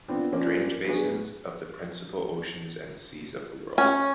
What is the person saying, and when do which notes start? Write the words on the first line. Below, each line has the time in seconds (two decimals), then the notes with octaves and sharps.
Drainage basins of the principal oceans and seas of the world.
0.08 B3 C4 D4 F4
0.32 F3 A#3 C#4 C5 D5
0.86 F#3 B3 D4 F#4 G#4 B4
3.78 C#4